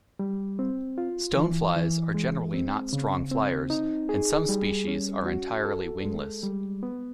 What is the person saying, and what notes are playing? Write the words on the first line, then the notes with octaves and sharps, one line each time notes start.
Stoneflies are generally not strong fliers, and some species are entirely wingless.
G3
C4
F4
E3
E3
G#3
C4
C#3
C4
D#4
G#4
G3
C#4
F#4
A4
G#3
G3
B3